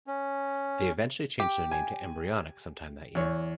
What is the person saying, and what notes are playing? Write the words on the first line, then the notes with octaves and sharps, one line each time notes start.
They eventually changed their name to Embryonic sometime that year.
C#4
G4
G#5
E2 C#5